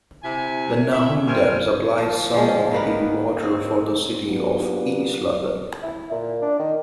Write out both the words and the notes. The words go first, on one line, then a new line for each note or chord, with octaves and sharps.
The Nahoon Dam supplies some of the water for the city of East London.
C3 E4 E5 G#5
E4 E5
G3 C4 F4 A#4 G#5
F3
F3 G#3 C#4
D#3 G3 A#3 B3
C4
F#3 A#3 B3 D4 F4 G4
E4
A#2
D4
D#3